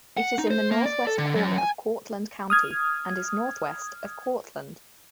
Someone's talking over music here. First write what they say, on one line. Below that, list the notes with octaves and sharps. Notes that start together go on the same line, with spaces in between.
It is in the northwest corner of Cortland County and is northwest of Cortland.
F#5
D#4
C5
A#3
D5
A4
D3
F#2
G#5
D#6 F6 G#6